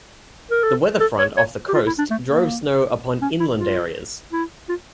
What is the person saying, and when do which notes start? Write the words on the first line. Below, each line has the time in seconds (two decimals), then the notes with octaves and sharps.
The weather front off the coast drove snow upon inland areas.
0.51 A#4
0.63 A4
1.00 A4
1.19 C#5
1.37 C#5
1.69 G4
1.74 F4
1.87 E4
1.99 D4
2.10 A3
2.29 A#3
3.22 C#4
3.40 E4
3.58 F4
4.32 E4
4.69 F4